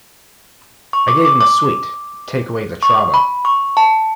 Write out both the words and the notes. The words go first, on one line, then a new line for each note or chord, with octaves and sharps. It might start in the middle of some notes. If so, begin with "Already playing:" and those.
I gave him a sweet, to take away the trauma.
C#6
D6
D6
D6
C#6
B5
C#6
A5